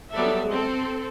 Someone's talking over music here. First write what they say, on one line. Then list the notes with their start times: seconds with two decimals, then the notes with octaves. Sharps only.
Thank you.
0.12 F#3 G3 B3 A4 D5 E5
0.49 C4 A4